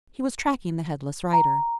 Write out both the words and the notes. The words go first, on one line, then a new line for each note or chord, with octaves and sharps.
He was tracking the headless rider.
A#5